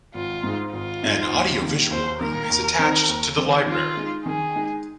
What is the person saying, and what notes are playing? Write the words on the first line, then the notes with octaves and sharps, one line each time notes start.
An "Audio Visual Room" is attached to the library.
G#1 F4
G#2 G#3 D#4
G#1 F4
G#2 G#3 D#4
D#2
D#3 A#3
D#2 C5
D#3 A#3 A#4
D#2
D#3 C4 D#4
D#2
D#3 C4 D#4
D#3 F4
G#3 D#4
D#3 G#4
G#3 D#4